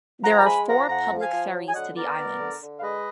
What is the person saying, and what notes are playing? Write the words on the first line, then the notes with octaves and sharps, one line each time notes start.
There are four public ferries to the islands.
F3 F#5 A#5
A#5
G#3 G#5 B5
F3 F#5 A#5
F2 F#5 A#5
F3
F5 G#5
F3
F#3
G#5
D3 D#5 F#5
B3 A#4 D5
B3
D3
D3
F5
G#3 B4 D#5